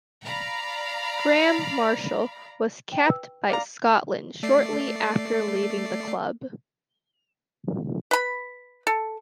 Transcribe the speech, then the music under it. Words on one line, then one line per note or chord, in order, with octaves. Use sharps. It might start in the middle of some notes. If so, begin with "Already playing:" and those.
Graham Marshall was capped by Scotland shortly after leaving the club.
D5 F5 A#5 B5
G5
B4 E6
D5 F5 A#5
A3 D5 C7
B4 B5
A4